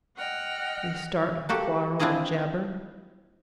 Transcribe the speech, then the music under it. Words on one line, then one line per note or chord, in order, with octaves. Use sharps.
They start and quarrel and jabber.
D#5 F#5 G5 F6
A#3 F#4 G4 A4
C4 D4 E4 F4 G#4 D#5